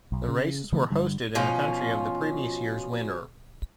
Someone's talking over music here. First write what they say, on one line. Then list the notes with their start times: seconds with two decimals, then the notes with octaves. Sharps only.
The races were hosted in the country of the previous year's winner.
0.12 B1
0.28 C#3
0.72 C#3 E3 F3 A3
0.90 G2 D3 G3
1.35 B2 F3 C#4 F4